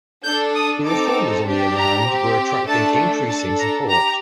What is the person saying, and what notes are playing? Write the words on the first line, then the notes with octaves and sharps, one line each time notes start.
The reformers, on the other hand, were attracting increasing support.
D4 A4 G6
D#6
C4 D#4 A4 D6
D4 G4
A#5
C4 G4
A3 D4 A4 A5
D4 A4 A5
A#5
G4 A#5